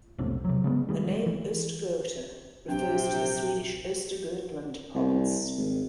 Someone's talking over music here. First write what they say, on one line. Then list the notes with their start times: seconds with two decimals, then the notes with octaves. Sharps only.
The name Östgöta refers to the Swedish Östergötland province.
0.18 E1 B1 A2 C3
0.45 C3 F#3
0.64 C#3 G#3 B3
0.89 D#3 G3 G#3
1.26 E3
2.68 A#1 C3 F#3 D4 G5
4.95 C2
5.58 G#1